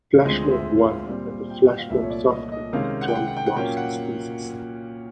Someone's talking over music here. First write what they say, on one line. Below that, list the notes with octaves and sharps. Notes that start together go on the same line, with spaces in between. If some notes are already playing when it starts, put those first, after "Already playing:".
FlashMob I and the FlashMob software was John's master's thesis.
D2 D3 F3 G#3 C4 D#5
E5
F5
A#2 G3 C4
G5
F#5
F5
C2 A#2 F3 A3 E5
C#5
D5
D#5
D#5
C3 D#3 G#3 C#4 F5
F#5
G5
F#5
F#5
G5
F#5
A#2 F#3 A#3 C#4 G5
F#5